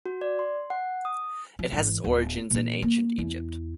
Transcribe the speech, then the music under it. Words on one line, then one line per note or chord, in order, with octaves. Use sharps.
It has its origins in ancient Egypt.
F#4
D5
C6
F#5
D#6
F3
G#1 E3
D1 B3
A#2 E3
A#3
E2 E4